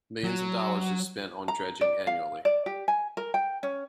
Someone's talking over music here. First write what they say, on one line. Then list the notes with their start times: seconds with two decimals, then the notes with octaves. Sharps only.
Millions of dollars is spent on dredging annually.
0.24 F#3
1.48 A#5
1.81 D5
2.07 F5
2.45 D5
2.66 G4
2.88 G#5
3.17 A#4
3.34 G5
3.63 C#4